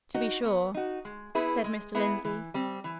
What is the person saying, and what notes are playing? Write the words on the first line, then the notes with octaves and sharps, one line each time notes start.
"To be sure," said Mr. Lindsey.
D#4 F#4
B3
D#4 F#4
G#3
B3 E4 G#4 B4
G#3
B3 E4 G#4 B4
E3
G3 C4
E3